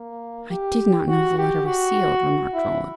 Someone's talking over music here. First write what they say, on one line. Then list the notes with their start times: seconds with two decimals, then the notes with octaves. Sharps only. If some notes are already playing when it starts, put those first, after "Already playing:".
"I did not know the letter was sealed," remarked Roland.
Already playing: A#3
0.51 G4
1.08 F#4
1.38 G4
1.66 F#4
2.54 E4